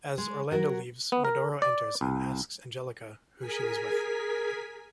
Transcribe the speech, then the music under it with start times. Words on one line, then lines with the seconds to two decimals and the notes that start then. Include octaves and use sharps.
As Orlando leaves, Medoro enters and asks Angelica who she was with.
0.18 G#3
0.51 F#3 F#4 A#4
1.12 B3
1.25 A#4
1.62 D5
2.01 C2
3.39 G#4 A#4 G#5 B6